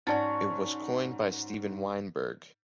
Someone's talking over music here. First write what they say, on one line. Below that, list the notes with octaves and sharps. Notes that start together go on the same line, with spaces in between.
It was coined by Stephen Weinberg.
G#2 C#4 F4 F#4 D5 A5 A6